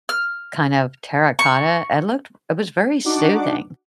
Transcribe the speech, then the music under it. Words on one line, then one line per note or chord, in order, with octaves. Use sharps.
kind of terracotta, it looked it was very soothing.
F6
C#6
D4 D#4 F#4 F#5 D6